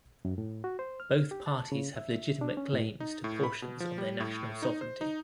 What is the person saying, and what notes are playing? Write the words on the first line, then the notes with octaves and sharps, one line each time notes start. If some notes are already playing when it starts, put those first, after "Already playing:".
Both parties have legitimate claims to portions of their national sovereignty.
F#2
A2
F#4
C5
F6
G4
A5
C#3
E5
D4
C#4
A2
D#4
A2
B5
B2
F3
G3
A2
D#4
C5
D#4